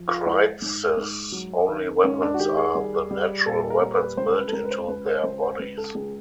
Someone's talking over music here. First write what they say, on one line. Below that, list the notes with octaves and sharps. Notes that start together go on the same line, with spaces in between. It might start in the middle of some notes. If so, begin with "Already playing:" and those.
Krites' only weapons are the natural weapons built into their bodies.
Already playing: F3
F4
G#3 E4
G#2
G#2
F#3
D#3
G#2 C#4
D4
F#4
D#3 G4
G#4
G3
G3
A#2 A4
A#4
G3
B4
C#2 C5
B4
A4
C#2 A#4
B4
C5
C#2 B4
C5
C#2 C5
C5
C#2 B4
A4
C#2 G#4